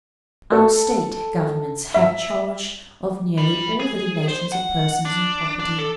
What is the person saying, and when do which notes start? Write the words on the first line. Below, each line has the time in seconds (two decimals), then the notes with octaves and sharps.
Our State governments have charge of nearly all the relations of person and property.
0.52 A4
1.94 E5
3.38 G3
3.80 G#4
4.28 C5
4.52 F#5
5.05 D4
5.59 D4
5.79 A4